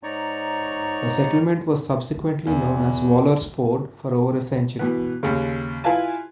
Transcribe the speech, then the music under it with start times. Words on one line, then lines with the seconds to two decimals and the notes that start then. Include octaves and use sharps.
The settlement was subsequently known as Waller's Ford for over a century.
0.03 G#2 D#4 C#5 D5 A#5 C#6
2.47 E2
4.79 B2 E3 B3
5.23 D#2 C#3
5.84 E4 F4 B4 F5 G#5 A5